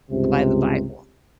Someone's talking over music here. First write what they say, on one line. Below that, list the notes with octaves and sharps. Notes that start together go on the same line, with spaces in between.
by the Bible.
C#2 G2 C3